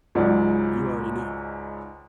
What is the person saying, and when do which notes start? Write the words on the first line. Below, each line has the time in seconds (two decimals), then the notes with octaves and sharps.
You already know,
0.15 C#2 G#2 F#3 D5